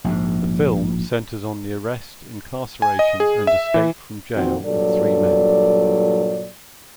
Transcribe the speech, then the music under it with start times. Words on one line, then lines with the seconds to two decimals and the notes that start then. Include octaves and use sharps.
The film centers on the arrest, incarceration, and escape from jail of three men.
0.04 A#1 G#2
2.82 G#5
2.99 D#5
3.20 G#4
3.47 E5
3.74 E3
4.36 A#2 D#3 F3 C4 D#4 F#4
4.66 G2 A#2 F#3 A4 D5